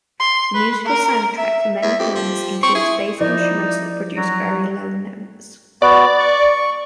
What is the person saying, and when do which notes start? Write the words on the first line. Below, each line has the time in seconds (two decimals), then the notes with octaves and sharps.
The musical soundtrack for many films includes bass instruments that produce very low notes.
0.20 C6
0.54 B4
0.85 A#4
1.36 E5
1.82 E2 E5
1.99 F2 G4
2.15 F3
2.63 C4 C#6
2.75 E4 G#4
3.21 F3 D#4 E4 A#4 D5
4.16 F#3 A#5
5.82 B3 F#4 D5
6.20 C#6